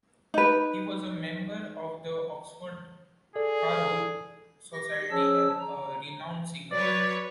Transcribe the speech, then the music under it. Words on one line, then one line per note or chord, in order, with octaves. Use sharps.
He was a member of the Oxford Choral Society and a renowned singer.
D#4 B4
G#4 A4 D5
G4 A#6
F3 C#4 G#4 C#5 A5 E6
A#5
F#3 B4 C#5 D5